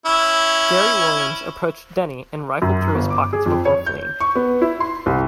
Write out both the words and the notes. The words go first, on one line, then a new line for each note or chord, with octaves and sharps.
Gary Williams approached Denny and rifled through his pockets before fleeing.
C#4 E4
F#2
G1
D6
G#4
F2
C#5
G6
C#6
B3
E4
C6
C2